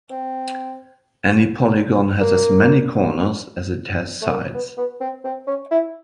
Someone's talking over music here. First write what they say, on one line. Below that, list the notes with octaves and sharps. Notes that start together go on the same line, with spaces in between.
Any polygon has as many corners as it has sides.
C4
A#3
A3
A#3
B3
B3
C4
C4
C#4
E4